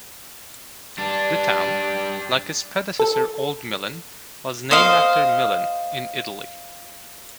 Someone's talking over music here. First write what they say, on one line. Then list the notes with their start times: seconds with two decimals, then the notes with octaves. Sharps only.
The town, like its predecessor Old Milan, was named after Milan, in Italy.
0.98 G3 D4
3.00 A4
4.71 C5 D#5 F5